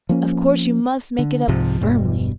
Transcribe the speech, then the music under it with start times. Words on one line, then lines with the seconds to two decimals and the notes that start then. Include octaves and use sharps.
Of course, you must make it up FIRMLY.
0.09 F3 A#3 C#4
1.19 D3
1.48 C2 G#2 C3 F3
1.81 E1 G2 B2